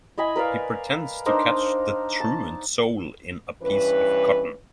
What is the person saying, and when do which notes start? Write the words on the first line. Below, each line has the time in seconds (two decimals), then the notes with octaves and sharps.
He pretends to catch the truant soul in a piece of cotton.
0.18 E4 D#5 G#5 B5
0.36 A#4 B4 D5 F5
1.26 D4 D#4 A#4 C5
2.20 A5
3.63 G2 E3 C#4 B4